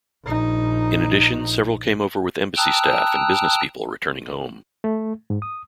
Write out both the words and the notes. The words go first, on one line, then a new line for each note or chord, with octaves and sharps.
In addition, several came over with embassy staff and business people returning home.
A#1 D#4
G5 A5 A#5 D#6 E6 F#6
A3
G#2
D#6